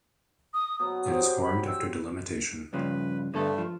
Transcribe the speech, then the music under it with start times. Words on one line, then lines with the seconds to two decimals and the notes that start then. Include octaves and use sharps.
It is formed after Delimitation.
0.54 D#6
0.79 B2 F#3 D#6
1.06 C4 G4 F#5
1.42 B5
1.67 E6
2.73 G2 C#3 F3 B4
3.34 G2 D3 A3 B3 A4
3.58 F3